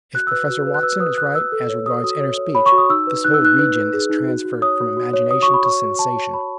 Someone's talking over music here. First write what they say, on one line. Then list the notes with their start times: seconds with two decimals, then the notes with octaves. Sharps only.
If Professor Watson is right as regards inner speech, this whole region is transferred from imagination to sensation.
0.15 F#4 F#6
0.27 E6
0.31 B4 F#6
0.50 F#4
0.67 B4
0.74 F#6
0.83 B4 E6
1.00 B4 D#6
1.18 B4 F#6
1.35 B4 E6
1.52 A4
1.69 C#5
1.86 F#4 D#6
2.04 F#4 D#6
2.21 C#5
2.38 C#5
2.55 C#5 B5
2.66 C#6
2.72 F#4
2.78 D#6
2.89 D#4 E6
3.07 B4
3.24 D#4 F#6
3.34 E6
3.42 D#4 F#6
3.59 B4 F#6
3.75 B4
3.93 G#4
4.10 D#4
4.27 F#4
4.45 F#4
4.62 C#5 D#6
4.79 F#4
4.97 F#4
5.13 C#5
5.31 C#5 D#6
5.42 F#4 C#6
5.54 B5
5.65 C#5 C#6
5.82 F#4
5.99 C#5 A5
6.16 C#5
6.34 C#5 B5